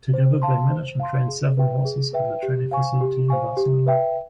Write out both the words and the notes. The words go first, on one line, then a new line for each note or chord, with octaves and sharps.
Together they manage and train several horses at their training facility in Barcelona.
C5
F5 A5 C6
C5
F5 A5 C6
G#4
B4 E5 G5
G#4
B4 E5 G5
G4
C5 F5 G#5 C#6
G4
C5 F5 G#5 C#6
G4
B4 E5 G5